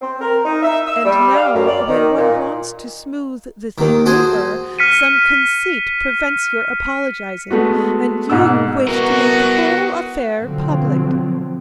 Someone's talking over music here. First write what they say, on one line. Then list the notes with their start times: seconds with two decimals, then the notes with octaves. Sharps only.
And now, when one wants to smooth the thing over, some conceit prevents your apologizing, and you wish to make the whole affair public.
0.02 C4
0.21 A#4
0.45 D#4
0.63 E5
0.87 E6
1.05 G3
1.36 F5
1.55 F#2
1.67 D5
1.88 D#3
2.17 A#2
3.78 D#2 D#3
4.06 F#4 G#4 A4 C5 G#5
4.79 F6 B6 C#7 D#7
7.50 G#3 A3 B3 F#4
8.30 G#2 B2 F#5 E6
8.88 B3 E4 F#4 A#4
10.40 B2 D3 F3 F#3 C4